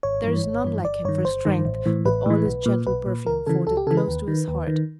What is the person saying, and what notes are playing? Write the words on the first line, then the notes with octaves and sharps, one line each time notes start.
There is none like him for strength, with all his gentle perfume folded close to his heart.
G#1 C#5
G2 E3
G#1
G2 E3
G1 D5
G2 D#3 C#5
G1 C5
G2 D#3
A1
A2 E3
A1 B4
A2 E3
B1
A#2
B1 B4
A#2
C#2 A#4
C#3 E3 A4
C#2 A4
G4
C#3 E3 A4
B4
D#2
D#3
D#2
D#3